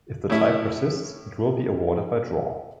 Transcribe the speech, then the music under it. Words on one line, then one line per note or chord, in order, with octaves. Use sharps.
If the tie persists, it will be awarded by draw.
A2 C#4 E4